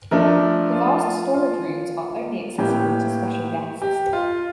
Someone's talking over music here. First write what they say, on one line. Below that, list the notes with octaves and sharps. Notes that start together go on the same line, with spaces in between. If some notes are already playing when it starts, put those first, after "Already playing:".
The vast storage rooms are only accessible to special guests.
F3 A3 D4 A#4
F4
F4
A2 E3 A#3 G4
G4
F4